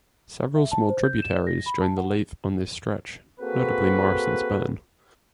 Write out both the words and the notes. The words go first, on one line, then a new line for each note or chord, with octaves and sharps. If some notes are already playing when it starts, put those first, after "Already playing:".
Several small tributaries join the Leith on this stretch, notably Morrison's Burn.
E5
A5
C5
G6
E7
D5
A#6
B5
A5
F#5
A#3 C4 F#4 G#4 A4 B4